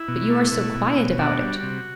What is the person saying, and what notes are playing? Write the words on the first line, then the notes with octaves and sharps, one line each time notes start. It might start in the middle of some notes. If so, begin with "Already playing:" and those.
'But you are so quiet about it!
Already playing: E4
B2
A3
B2
B2
B2
D4 F#4
G3
C3